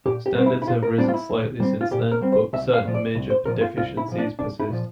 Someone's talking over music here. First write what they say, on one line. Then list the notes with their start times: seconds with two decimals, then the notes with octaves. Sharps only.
Standards have risen slightly since then, but certain major deficiencies persist.
0.05 A#2 G4
0.26 G4
0.36 G3 C4
0.46 E4
0.62 E4
0.67 A#2 F4
0.83 A#4
0.98 G3 C4 D4
1.08 F4
1.14 E4
1.29 A#2
1.60 G3 C4
1.81 F4
1.91 A#2 G4
2.12 A#4
2.21 G3 C4
2.32 C5
2.53 C2 E5
2.74 F5
2.84 A#2 F3
2.94 D5
3.15 C2
3.30 C5
3.46 A#2 F3 A#4
3.61 F4
3.77 C2 F4
3.97 E4
4.08 A#2 F3
4.18 D4
4.39 C2 D4
4.60 E4
4.70 A#2 F3